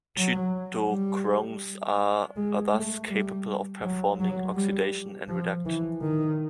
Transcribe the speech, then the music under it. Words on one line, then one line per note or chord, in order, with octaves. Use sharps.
Cytochromes are, thus, capable of performing oxidation and reduction.
F#3
G3
G#3
A3
G3
F#3
F#3
G3
F3
E3
D#3